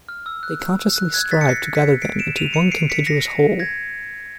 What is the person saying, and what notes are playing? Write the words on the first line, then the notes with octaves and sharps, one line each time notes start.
They consciously strived to gather them into one contiguous whole.
F6
E6
F#6
F#6
F#6 G#6
A6 B6
C#7
A#6 C7
B6 C#7
C7 D7
D7 E7
D#7 F7
C#7 D#7
C7 D7
B6 C#7
A#6 C7
G#6 A#6